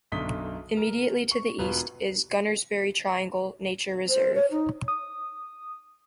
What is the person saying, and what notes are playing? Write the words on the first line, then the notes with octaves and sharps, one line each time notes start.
Immediately to the east is Gunnersbury Triangle nature reserve.
B1 F#2 D3 D#6 B6 G7
A#4
C#6
E1 B2 F4 B4
C5
C#5
D#4
D#6